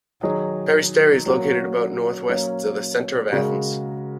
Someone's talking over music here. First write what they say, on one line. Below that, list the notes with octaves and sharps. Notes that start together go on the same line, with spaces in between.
Peristeri is located about northwest of the centre of Athens.
D#3 F#3 D#4 G#4
F#3 A#3 C#4 F#4 A#4
F#3 A#3 C#4
C#3 G#3 F#4 A#4